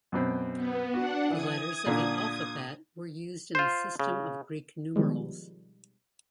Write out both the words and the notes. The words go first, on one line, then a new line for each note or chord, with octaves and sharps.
The letters of the alphabet were used in the system of Greek numerals.
F#2 B2 C4
B3
D4 F#4 F#5
E3 D#6 G#6
A#2 D3
F4 C5
C#3
B2 D#3 F3 G3 G#3